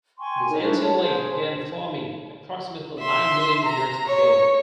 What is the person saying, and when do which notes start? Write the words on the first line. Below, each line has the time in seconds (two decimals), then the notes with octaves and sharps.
This ancient lake began forming approximately nine million years ago.
0.18 G5 G#5 C6 C#6
0.49 D#4 A#4
0.62 D4 E4 A#4 C5
0.81 C#5 A5
1.00 G#4 C5
2.99 E5 C6
3.65 A#5
4.06 C#5